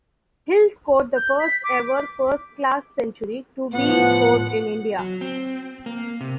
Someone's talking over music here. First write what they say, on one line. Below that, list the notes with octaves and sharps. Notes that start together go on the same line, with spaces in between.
Hill scored the first-ever first-class century to be scored in India.
G6
B6
D6
A2 F3 B3 F#5
F#3
C4
A#3
C3